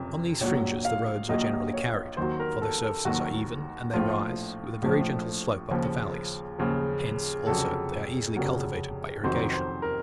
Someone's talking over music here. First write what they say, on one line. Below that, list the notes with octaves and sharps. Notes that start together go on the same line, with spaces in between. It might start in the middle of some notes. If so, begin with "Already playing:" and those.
On these fringes the roads are generally carried, for their surfaces are even, and they rise, with a very gentle slope up the valleys: hence, also, they are easily cultivated by irrigation.
Already playing: F#1 F2 C3
A#1 A#2 F#3 C#5
F5
A#1 A#2 F#3 D#5
C#5
D#2 D#3 F#3 C5
A#4
A4
A4
D#2 D#3 F#3 F#4
A#1 A2 F3 F4
A#1 A2 F3
D#2 C#3 F3
D#2 C#3 F3
F1 F2 C#3 F#3 A4
F1 F2 C#3 F#3
F1 F2 D#3 F#3 C5
C5
A#4